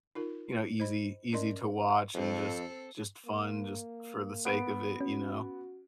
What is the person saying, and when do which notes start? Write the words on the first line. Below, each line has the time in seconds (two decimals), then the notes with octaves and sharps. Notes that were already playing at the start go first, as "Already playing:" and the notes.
you know, easy easy to watch and just just fun just for the sake of it, you know?
0.15 D#4 F4 A#4
0.80 C5 D#5 B5
1.33 C#4 A#4 D5 D#5 C6
2.14 F2 C4 A4
3.25 A#3
4.45 B3 D7
5.01 C#4 F#4